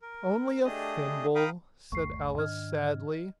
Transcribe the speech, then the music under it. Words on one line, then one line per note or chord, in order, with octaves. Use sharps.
'Only a thimble,' said Alice sadly.
A#4
A3 D4 G4 G#4 D#5 D#6
F5 G5 A#5 B5 D#6
G1 D#2 A3 C#6 C7
G#2 D#3 D4 D#5 F6 G#6